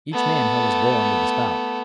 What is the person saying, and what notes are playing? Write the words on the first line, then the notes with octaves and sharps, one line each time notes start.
Each man held his bowl under the spout.
A3 B3